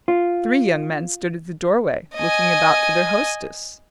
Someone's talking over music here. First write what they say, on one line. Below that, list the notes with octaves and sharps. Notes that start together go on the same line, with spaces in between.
Three young men stood at the doorway looking about for their hostess.
F4
D#5 G#5